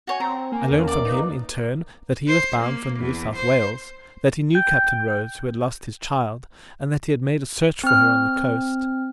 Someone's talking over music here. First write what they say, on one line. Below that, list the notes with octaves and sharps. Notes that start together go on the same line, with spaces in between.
I learned from him, in turn, that he was bound for New South Wales; that he knew Captain Rose, who had lost his child, and that he had made a search for her on the coast.
F#4 C#5 G#5
C4 A#5
A#3 G#5
E2 C#4
D5 D6
D#4 B4
C5
A#3
E2
C5
G5
C4 F6